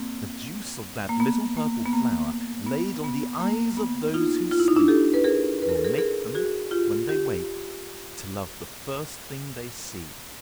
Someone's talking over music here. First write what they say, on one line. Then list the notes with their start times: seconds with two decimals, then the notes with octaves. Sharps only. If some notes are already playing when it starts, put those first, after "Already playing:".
The juice of that little purple flower laid on the eyes of those who sleep will make them, when they wake, to love the first thing they see.
Already playing: A#3 C4
1.09 A#3
1.20 B3
1.57 A#3
1.86 B3
1.93 A#3
2.67 B3
3.04 B3
3.40 A#3
3.77 B3
4.14 D#4 F4
4.51 F4
4.60 E4
4.68 D#4
4.76 D4 E4
4.88 G4 A4
5.14 B4
5.24 G#4 A#4
5.62 B4
5.69 A#4
5.76 A4
5.85 G#4 A#4
5.98 G#4 A#4
6.35 F#4 G#4
6.71 F4 G4
7.09 G4